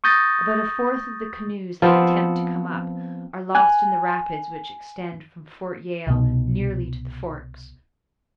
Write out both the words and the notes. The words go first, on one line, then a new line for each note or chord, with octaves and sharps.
About a fourth of the canoes that attempt to come up are lost in the rapids which extend from Fort Yale nearly to the Forks.
C#6 D#6 G6 A6 A#6
F3 B3 C4
G#5 F#6
C2 B2